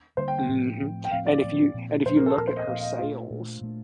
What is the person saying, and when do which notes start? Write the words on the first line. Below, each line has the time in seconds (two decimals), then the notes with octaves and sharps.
Mhm, and, if you and if you look at her sales
0.17 D3 G3 A#3 D4 C5
0.28 G5
0.38 G5
0.49 A2 F3 C4
0.80 A2 F3 C4
1.05 G5
1.11 A2 F3 C4 F5
1.26 D5
1.43 A2 F3 C4
1.74 A#2 F3 C4
2.05 A#2 F3 C4 C5
2.16 A#4
2.26 A4
2.36 A#2 F3 C4 A#4
2.48 C5
2.57 D#5
2.68 A#2 F3 C4 F5
2.79 F5
2.83 D#5
2.99 A#2 A3 D4 F4
3.30 A#2 A3 D4
3.61 A#2 A3 D4